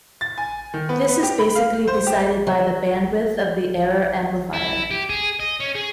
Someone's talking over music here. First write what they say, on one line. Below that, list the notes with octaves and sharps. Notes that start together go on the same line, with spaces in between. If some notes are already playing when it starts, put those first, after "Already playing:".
This is basically decided by the bandwidth of the error amplifier.
A6
G#5
D#3
B3
B3
G4
B5
F5
C5
G4
F#3
E4
G4
G#4
D#5
C#4
G#4